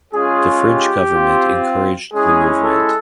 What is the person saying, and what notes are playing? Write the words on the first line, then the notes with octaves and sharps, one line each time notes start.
The French government encouraged the movement.
G#3 C#4 F4 G#4
G4
C4 F4
G#3 C#4 E4 G#4
A4